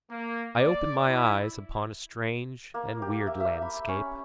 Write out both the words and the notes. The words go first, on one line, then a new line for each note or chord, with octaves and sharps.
I opened my eyes upon a strange and weird landscape.
A#3
D5
E4
A#3
G4
E5
E5
B5
C#4